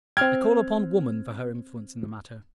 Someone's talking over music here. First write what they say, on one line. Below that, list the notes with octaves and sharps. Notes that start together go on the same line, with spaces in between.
I call upon woman for her influence in the matter.
C4 G5 F6 G#6